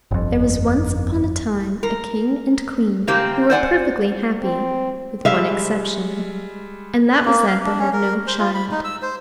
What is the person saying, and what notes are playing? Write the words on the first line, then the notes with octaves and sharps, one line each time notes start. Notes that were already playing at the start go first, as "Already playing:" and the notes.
There was once upon a time a King and Queen who were perfectly happy, with one exception, and that was that they had no child.
G1 F2
A#4
C#3 A#3 C4 G4
C5 D5 F#5 G#5
C4
G3 G#3 E5 F5
B4
A#3
F5
D4
C#4
A#4
C5
F4
B5
D#4
E6
C5